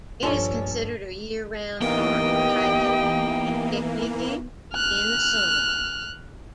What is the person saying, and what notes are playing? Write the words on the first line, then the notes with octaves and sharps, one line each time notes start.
It is considered a year-round park for hiking and picnicking in the summer.
A#1 G2 F3 C#4 D4 A4 C#5 C6
E3 A#3 B3 D#4 G4 A#4 D#5 G5
F6 F#6